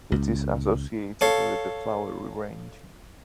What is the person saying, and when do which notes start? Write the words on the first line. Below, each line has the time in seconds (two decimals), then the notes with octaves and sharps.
It is associated with the Flowery Range.
0.12 C#2
1.21 A4 C#5 F5